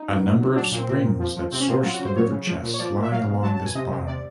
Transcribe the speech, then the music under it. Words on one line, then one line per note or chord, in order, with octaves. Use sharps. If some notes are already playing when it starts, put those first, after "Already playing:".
A number of springs that source the River Chess lie along this bottom.
Already playing: D#4
B2
F#3
F#3
F#3 D4
A#2
C4
A#2 C4
A#2
F3
F3
C3 C4
C#4
F3 C4
F#3 F4
F#4
C#3
C5
F#3 C#5
C#3
F3
A#2
C#5
F3 D5
A#2
E5
F#3 F5
B2
F#3 A5
A5
B2
G#5
C3 D#5
C3
C3 D5